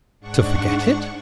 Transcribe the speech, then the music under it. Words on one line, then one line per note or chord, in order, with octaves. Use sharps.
"To forget it!"
G#2 D4 F#5 C#6